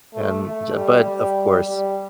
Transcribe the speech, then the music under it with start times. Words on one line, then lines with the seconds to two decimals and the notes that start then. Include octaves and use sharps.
and j but, of course,
0.13 A3
0.43 A3
0.74 G3
1.04 G3
1.66 G3